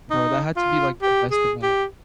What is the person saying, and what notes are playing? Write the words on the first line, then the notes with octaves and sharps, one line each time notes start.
Bro, that had to be, like, the best event.
D#4
F4
G4
G#4
G4